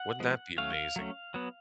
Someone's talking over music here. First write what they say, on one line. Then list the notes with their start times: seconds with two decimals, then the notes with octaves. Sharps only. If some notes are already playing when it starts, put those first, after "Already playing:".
Wouldn't that be amazing?
Already playing: F#5
0.20 F3 G#3 B3
0.58 F#3 A3 C#4 F5
0.96 F#3 A3 C#4
1.34 F#3 B3